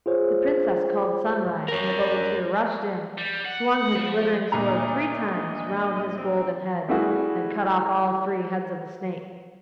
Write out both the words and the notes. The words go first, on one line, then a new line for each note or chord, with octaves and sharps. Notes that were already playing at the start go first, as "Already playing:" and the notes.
The Princess called Sunrise, and the bogatir rushed in, swung his glittering sword three times round his golden head, and cut off all three heads of the snake.
F4 G#4 C5 C#5
A#4 C#5
G3
F#5
F3
D2 A#2 D4 D#5 A#5
D3 C4
G3 A3 E4 F#4 G#4